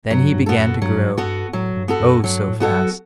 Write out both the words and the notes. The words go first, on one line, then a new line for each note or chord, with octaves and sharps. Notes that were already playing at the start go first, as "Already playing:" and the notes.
Then he began to grow, oh! so fast.
G2 F#3
G2
B3 F#4 A4
F#2
G2 F#3
G2 B3 F#4 A4
A2 F#3
G2
B3 F#4 A4
F#2
G2 F#3
A2
B3 F#4 A4
F#3